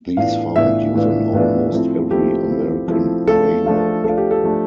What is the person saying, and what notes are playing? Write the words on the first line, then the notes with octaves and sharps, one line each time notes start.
These found use on almost every American railroad.
A2 E3 B3 D4 F4 F5
A2 E3 B3 D4 F4 E5
A2 E3 B3 D4 F4
A2 E3 B3 D4 F4
F3 A3 C4 E4
F3 A3 C4 E4 G4
F3 A3 C4 E4
F3 A3 C4 E4
F3 A3 D4 F4 A4
F3 A3 D4 F4
F3 A3 D4 F4 A4
G4
A4
F3 A3 D4 F4